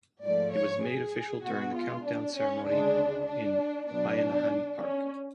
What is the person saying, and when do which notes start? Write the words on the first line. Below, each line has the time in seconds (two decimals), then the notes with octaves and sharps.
It was made official during the countdown ceremony in Bayanihan Park.
0.23 G#2 F3 A3 D5
0.53 C#5
0.84 G#4
1.44 B2 G#3 B3 F#4
1.76 F4
2.05 D4
2.36 C#4
2.65 D2 C#3 G#3 D4
3.27 D4
3.87 B2 F#3 B3 D4
4.78 C#4